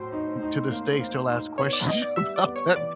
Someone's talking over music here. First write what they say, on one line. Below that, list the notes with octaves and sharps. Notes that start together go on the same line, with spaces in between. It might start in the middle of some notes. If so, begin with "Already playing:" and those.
to this day, still ask questions about that
Already playing: A2 F#3 C5
D#4
D#4
A#3
A#3
D#4
B3 C#5
D5
B3 D#5
D5
G3 E5
D5
B3
C#5
E3 D5